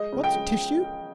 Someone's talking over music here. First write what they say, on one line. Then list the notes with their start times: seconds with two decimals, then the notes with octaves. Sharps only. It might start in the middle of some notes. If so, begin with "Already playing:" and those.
"What's tissue?"
Already playing: G#3 D#5
0.13 C#3
0.24 G5
0.34 G#3